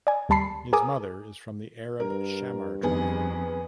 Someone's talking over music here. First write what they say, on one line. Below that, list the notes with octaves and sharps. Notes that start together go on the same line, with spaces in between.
His mother is from the Arab Shammar tribe.
D5 G#5
D#2 G3 A5 B5 C7
G#4 A#4 G#5 D6 D#6
G2 A#4
F2 D#3 B3 G#4